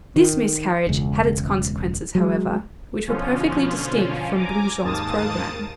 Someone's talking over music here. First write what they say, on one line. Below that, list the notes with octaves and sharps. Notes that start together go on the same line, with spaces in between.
This miscarriage had its consequences, however, which were perfectly distinct from Brujon's programme.
D#3
E1 C#2
F#3 G#3
B2 D3 F3 C#4 F4
G#5 A#5 D6
D#2 G#2 A#3 A5 D#6 A6